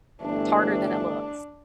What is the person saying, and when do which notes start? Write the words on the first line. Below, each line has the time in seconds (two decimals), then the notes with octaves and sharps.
T harder than it looks.
0.21 G1 E3 A3 D4